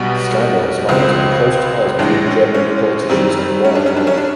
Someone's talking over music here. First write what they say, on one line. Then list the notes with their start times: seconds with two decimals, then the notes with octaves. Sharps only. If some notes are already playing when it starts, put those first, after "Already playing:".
The scandal has highlighted the close ties between German politicians and Wirecard.
Already playing: B1 B2 G3 B3
0.88 C#2 C#3 F3 G#3 C4
1.99 A#1 A2 E3 G#3 D4
2.27 C#4
2.55 C#4
3.10 F#2 D#3 G3 C4
3.65 C#4
3.75 D4
3.86 C#4
3.97 D4
4.07 C#4
4.17 D4